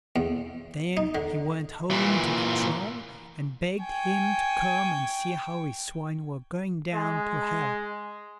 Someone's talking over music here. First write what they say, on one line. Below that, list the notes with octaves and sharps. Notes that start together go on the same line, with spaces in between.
Then he went home to the Troll, and begged him to come and see how his swine were going down to Hell.
E2
D#4
D3
A#2 E3
G5 G#5 C#6
G#3